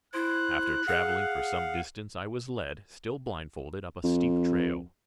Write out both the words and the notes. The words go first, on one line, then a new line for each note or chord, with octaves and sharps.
After traveling for some distance I was led, still blindfolded, up a steep trail.
E4 C5 F#6
G#4 F5 F#5
F2